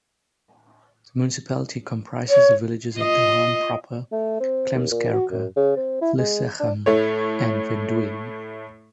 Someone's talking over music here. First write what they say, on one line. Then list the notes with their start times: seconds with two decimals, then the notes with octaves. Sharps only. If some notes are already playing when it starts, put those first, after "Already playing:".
The municipality comprises the villages of De Haan proper, Klemskerke, Vlissegem and Wenduine.
2.30 C#5
2.96 F4 D#5
4.12 A3
4.40 C4
4.74 D#2
4.91 A#2
5.13 F#4
5.31 F#2
5.56 C#3
5.76 C4
6.01 E4
6.18 G#3
6.59 D4
6.86 A2 A3 C#5